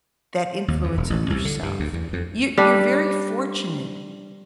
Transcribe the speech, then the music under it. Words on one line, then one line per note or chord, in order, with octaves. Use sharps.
that influence of yourself. You you're fortunate
D#2
F2
E1
A1
C2
D3
G2
D2
E2
F2
G3 D4